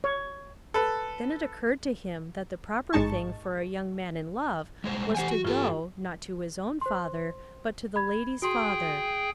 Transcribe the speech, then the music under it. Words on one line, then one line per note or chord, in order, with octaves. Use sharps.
Then it occurred to him that the proper thing for a young man in love was to go, not to his own father, but to the lady's father.
C#5
A4 B4
A1 G#2 G#3 D#4 A5 C#6
G3 G#3 C5
E3 G4 C5 F#5 G#5
F#4
G2 F4 G4 A4
G5
C5 C6
B5 G#6
F#4 G#4 G5 C6